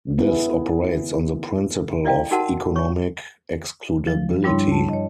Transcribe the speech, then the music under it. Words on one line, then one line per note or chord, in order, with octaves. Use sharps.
This operates on the principle of economic excludability.
B3 E4 G#4
E4 D5 D#5 F5 G5
D#4 F#4 A#4 F#5 A5 C6
C#5 C#6
F3
G2 G3 D4 E4 C#5 C6
A5
C#5 D#5